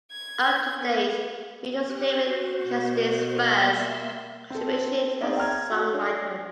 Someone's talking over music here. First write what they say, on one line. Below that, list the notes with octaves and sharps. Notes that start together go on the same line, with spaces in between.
"Up to Date" features David Cassidy's first contribution as a songwriter.
G#6
B3
C4 C#4 G4 F#6
F#4 C5
B2
A#3 E5 C6
C4 A4
C4 D#4 G#4 C#5 D5 E5
G5 A#5 F6 G#6
F#4
D4 C#5